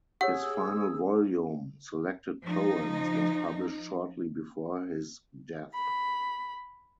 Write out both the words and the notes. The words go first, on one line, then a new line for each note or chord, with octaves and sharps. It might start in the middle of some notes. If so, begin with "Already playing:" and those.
His final volume, "Selected Poems", was published shortly before his death.
G4 G#4 C#5 F#5 E6
F3 D#4
B5